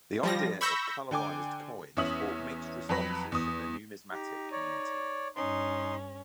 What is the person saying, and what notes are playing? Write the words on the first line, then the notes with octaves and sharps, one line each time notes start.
The idea of colorized coins brought mixed responses from the numismatic community.
F3 G3 A#6
B5 C#6 E6 G6 A#6
D3 G5 G#5 D6
E2 C#4 E5 D#6 F#7
F2 F#3 B4 B5 A#6
E2 D#6
D#4 G4
C#5 D5
G2 C#4 D#4 C6